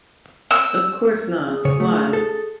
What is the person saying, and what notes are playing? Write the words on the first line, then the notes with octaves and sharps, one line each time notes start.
Of course not; why?
E6
G#4
C#3 C#5
A3
A4